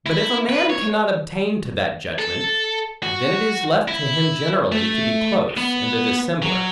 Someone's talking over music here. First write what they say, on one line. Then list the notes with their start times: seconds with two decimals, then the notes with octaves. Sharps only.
But if a man cannot obtain to that judgment, then it is left to him generally, to be close, and a dissembler.
0.06 E4
0.49 B4
0.70 C#5
2.19 A4
3.03 F#4
3.88 E4
4.72 A3
5.57 B3
6.42 F#3